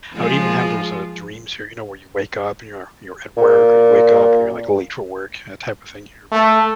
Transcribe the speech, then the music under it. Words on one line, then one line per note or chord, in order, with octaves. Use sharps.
I would even have those, uh, dreams here, you know, where you wake up and you're you're at work or you wake up and you're, like, late for work, that type of thing here
F3 G#3 F4
A#2
A3